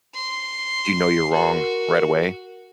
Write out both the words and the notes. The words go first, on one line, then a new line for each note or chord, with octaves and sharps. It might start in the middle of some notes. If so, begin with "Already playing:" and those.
do you know you're wrong right away?
C6
F#4 A#4